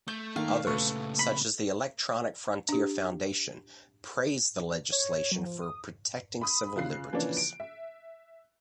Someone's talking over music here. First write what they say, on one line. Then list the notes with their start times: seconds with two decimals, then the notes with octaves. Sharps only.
Others, such as the Electronic Frontier Foundation, praised the legislation for protecting civil liberties.
0.08 A3 G6
0.36 D#3 A#3 F5
0.67 A#2 C#3 A3 B4 C#6
1.19 B5
2.69 D4 G4
4.92 C#5
5.32 F#3
5.45 F3
5.61 D#6
6.41 B5 D#6
6.76 C#3 F4 F#6 C7
7.12 C#3 E3 F3 A#3 C#4 D4
7.37 D7
7.60 E5